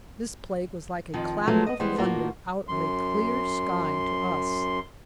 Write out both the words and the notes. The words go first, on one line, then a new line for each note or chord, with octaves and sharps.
This plague was like a clap of thunder out of a clear sky to us.
F2 D#3 F3
F3 F#3 G#3 A3 B3
D#5
E3 G3 G#3 B3 C5
A2 A#3 F4 F#4
F#2 C6